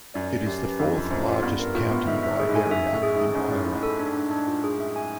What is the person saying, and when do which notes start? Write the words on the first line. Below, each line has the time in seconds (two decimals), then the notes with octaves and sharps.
It is the fourth-largest county by area in Iowa.
0.14 F#2 D5
0.31 G4
0.46 F#2 G4
0.63 B4
0.79 F2 D4
0.95 F4
1.10 F#2 C5
1.27 F4
1.42 G2 B3
1.59 A#4
1.74 A2 F4
1.91 B3
2.07 G#2 E5
2.23 E5
2.39 G#4
2.49 G#2
2.56 G#5
2.71 F#2 E5
2.87 E5
2.93 A2
3.03 G#4
3.14 G#2 G#4
3.35 G#2 C#4
3.51 E4
3.67 E4
3.83 A4
3.99 D4
4.15 D4
4.31 D4
4.47 F4
4.64 G#4
4.80 E5
4.96 G#5